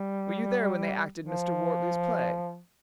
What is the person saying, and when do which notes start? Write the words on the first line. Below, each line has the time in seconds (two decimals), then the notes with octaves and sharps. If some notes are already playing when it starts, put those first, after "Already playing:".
Were you there when they acted Mr. Wortley's play?
Already playing: G3
1.22 F3